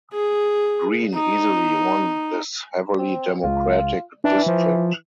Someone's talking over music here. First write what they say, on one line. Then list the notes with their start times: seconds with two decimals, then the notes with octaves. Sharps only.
Green easily won this heavily Democratic district.
0.14 G#4
1.15 D#4
2.98 C4
3.44 C#2 F4
4.24 E3 D4
4.46 F3